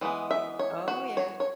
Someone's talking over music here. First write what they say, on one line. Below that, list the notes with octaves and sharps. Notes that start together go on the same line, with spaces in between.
Oh, yeah.
E3 G#3 B3
E5
C#5
F#4
C#5
C#5